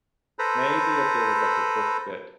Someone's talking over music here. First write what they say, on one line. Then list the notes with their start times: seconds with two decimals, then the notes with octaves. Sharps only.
Maybe if there was, like, a book that
0.39 A4 B4 C5 A#5 B5